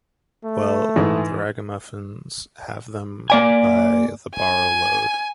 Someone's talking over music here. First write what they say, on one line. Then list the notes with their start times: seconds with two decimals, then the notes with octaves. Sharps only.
Well, The Ragamuffins have them by the barrow load.
0.44 A3
0.96 G#2 E3 G#3
3.30 A#3 D5 G#5
4.35 G#5